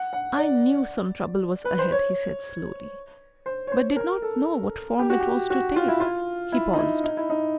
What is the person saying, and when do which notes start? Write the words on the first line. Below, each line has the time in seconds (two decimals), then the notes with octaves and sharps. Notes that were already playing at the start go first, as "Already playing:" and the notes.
"I knew some trouble was ahead," he said slowly, "but did not know what form it was to take." He paused.
Already playing: F#5
0.13 F#5
0.38 D5
1.65 B4
1.79 C5
1.92 C#5
3.46 C5
3.67 C#5
3.72 C5
3.96 A#4
4.22 A4
4.99 G4
5.10 F#4
5.20 G4
5.50 F#4
5.76 F4
5.88 E4
6.00 F4
6.52 E4
6.74 D#4
6.78 E4
7.04 D#4
7.17 E4
7.30 D#4